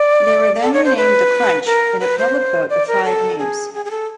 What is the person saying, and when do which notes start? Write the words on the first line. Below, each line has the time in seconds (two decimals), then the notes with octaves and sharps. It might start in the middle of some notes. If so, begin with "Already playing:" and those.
They were then renamed the 'Crunch' in a public vote of five names.
Already playing: D5
0.62 A4
0.74 C#5
0.85 C5
0.97 B4
1.66 A#4
2.00 B4
2.18 C5
2.70 D5
2.87 A#4
3.04 A4
3.39 G#4
3.74 G#4
3.85 G#4
3.91 A4